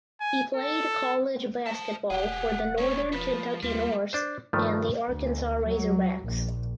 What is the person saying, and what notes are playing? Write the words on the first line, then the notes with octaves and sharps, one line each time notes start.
He played college basketball for the Northern Kentucky Norse and the Arkansas Razorbacks.
G#5
A4
C5 A5
E1 G4 G#4 F#5
G#3 C#4 C#5
F3 B4
D#2 G3 F4
D4 C5
G2 D#3 F3 A3
D2
F#3
A#1